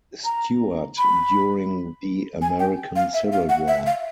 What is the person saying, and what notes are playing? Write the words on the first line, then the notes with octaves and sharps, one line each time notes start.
Stuart during the American Civil War.
A#5
B5
G#5
G5
F5
E5
F5
F#5
E5
F5